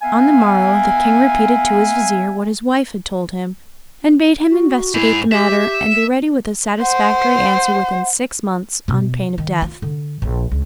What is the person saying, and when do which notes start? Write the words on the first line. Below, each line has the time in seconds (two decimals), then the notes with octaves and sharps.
On the morrow the King repeated to his vizier what his wife had told him, and bade him investigate the matter, and be ready with a satisfactory answer within six months, on pain of death.
0.02 B3 E5 F5 G#5
4.50 F#4
4.94 G#2 E4 G#4
5.32 G4 E5
6.81 C5 F#5
8.88 B2
9.38 D#3
9.62 F4
9.82 D3
10.22 A#1
10.52 C#2